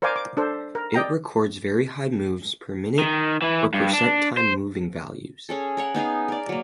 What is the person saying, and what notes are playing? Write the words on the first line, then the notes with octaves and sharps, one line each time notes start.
It records very high moves per minute or percent time moving values.
A#4 C5 D5 F5 G#5 D6
D6
D4 A4 C5
A#4
D5 D#5 G5 A#5
D#3
E3 E4
G2
D4
C5
C#4 G#4 A4
A#4 C#5 F#5
B3 D#4 G#4 F5
A#4 D5
F#3 A#3